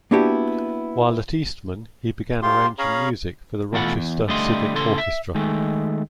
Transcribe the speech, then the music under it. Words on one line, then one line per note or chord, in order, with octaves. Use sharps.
While at Eastman, he began arranging music for the Rochester Civic Orchestra.
A#3 B3 D4 E4 F#4 G4
G#2 F4 G4 C6
C#4 G#4 C#5 F5 A#5 B5
B2 E3 A3 F4 F#5 B5
E2
D3 G3 A3 D#5 F5 C6
A2 C#3 A4 C6
E5
D#3 G#3 A3